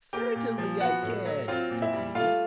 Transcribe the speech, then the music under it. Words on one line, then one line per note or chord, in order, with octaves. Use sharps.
"Certainly I can," said the Idiot.
A#3 G4 G5
A#2
F3
B3 F#4 F#5
A2
F#3
C4 F4 F5
A#2
E4 E5
G3
A3 F4 F5